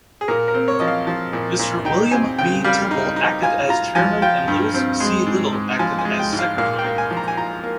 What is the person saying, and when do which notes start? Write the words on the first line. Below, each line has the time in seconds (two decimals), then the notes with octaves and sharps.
Mr. William B. Temple acted as Chairman and Lewis C. Little acted as Secretary.
0.21 G#4
0.28 A#2 A#4
0.48 A#4
0.54 C4
0.68 C#5
0.80 F3 D#5
0.87 F5
1.07 F3
1.33 A#2
1.59 A#2
1.85 D#4 G5
2.11 C4 G#5
2.38 C#3 G5
2.64 G3 F5
2.91 D#4
3.16 D#4
3.43 F4 G#5
3.69 F4 A#5
3.95 F3 G#5
4.22 F4 G5
4.48 G2
4.74 C4
5.00 G#3
5.26 G#2
5.53 G#2
5.79 F3 G#5
5.99 G#5
6.05 G#3
6.19 G5
6.33 G#2
6.39 F5
6.58 A#2 F5
6.79 G5
6.84 A#3
6.98 G#5
7.10 F3
7.17 A#5
7.28 G#5
7.37 F4 A#5
7.63 A#3